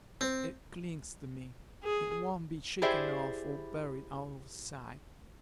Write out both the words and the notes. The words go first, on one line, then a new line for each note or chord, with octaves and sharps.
It clings to me; it won't be shaken off or buried out of sight.
C4
G#4
E4 G4 G#4 C5 D5 E5